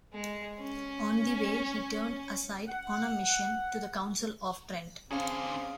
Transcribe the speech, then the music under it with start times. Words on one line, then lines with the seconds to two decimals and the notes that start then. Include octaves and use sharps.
On the way he turned aside on a mission to the Council of Trent.
0.13 G#3
0.62 C#4
2.69 F#5
5.11 E2 D3 C4 C#4 G#4 F5